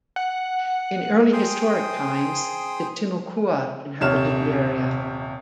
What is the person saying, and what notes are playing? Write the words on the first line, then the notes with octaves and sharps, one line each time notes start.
In early historic times, the Timucua inhabited the area.
F#5
G#4 C5 G5 C6 D#6
D#1 C3 C#5 F6 E7